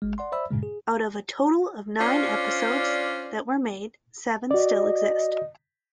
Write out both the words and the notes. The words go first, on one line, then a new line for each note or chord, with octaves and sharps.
Out of a total of nine episodes that were made, seven still exist.
G#1 G#3
D5 F#5 C6
C5 D5 E5 B5 E6
G2 A#2 C#3 G#3
G#4
C#4 D4 F4 C5 D5
F#4 D5 D#5